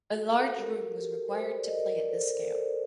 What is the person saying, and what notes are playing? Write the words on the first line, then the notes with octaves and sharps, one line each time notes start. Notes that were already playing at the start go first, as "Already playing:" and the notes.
A large room was required to play at this scale.
F#4 A4
G4 A#4
G4 A#4
A4 C5
D5
D#5
A#4 D5
A#4 D5
D5
A4 C5
A#4 D5
A4 C5